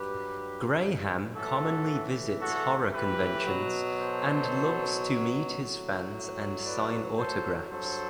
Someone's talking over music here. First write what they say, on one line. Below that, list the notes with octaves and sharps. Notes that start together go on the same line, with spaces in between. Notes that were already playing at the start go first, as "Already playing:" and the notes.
Graham commonly visits horror conventions and loves to meet his fans and sign autographs.
Already playing: G2 F#3 G4 B4
A2 E3 F#4 A4
F#4 A4
G4 B4
B2 F#3
A4 C5
A2 F#3
B4 D5
A4 C5
G2 F#3 A4 C5